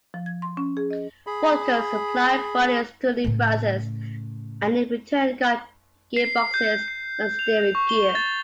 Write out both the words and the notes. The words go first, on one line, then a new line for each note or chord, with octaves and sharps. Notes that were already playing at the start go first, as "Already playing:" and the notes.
Vulcan supplied bodies to Lea-Francis and in return got gearboxes and steering gear.
F3
G#6
C6
C#4
G#4
D#5
G#4 B5
A2 C#3
C7
G6
C7
F7
C#6
G7
A6